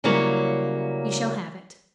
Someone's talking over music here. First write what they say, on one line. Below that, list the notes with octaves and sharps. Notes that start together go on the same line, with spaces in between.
"You shall have it."
C#3 F#3 G3 A#3 E4 C#5